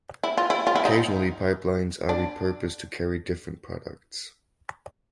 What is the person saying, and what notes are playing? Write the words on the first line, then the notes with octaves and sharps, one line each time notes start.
Occasionally pipelines are repurposed to carry different products.
E4
F4
E4
F4
E4
D#4
D4